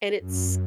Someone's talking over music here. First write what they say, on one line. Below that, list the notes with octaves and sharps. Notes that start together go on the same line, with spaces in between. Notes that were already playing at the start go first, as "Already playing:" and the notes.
And it's
F#2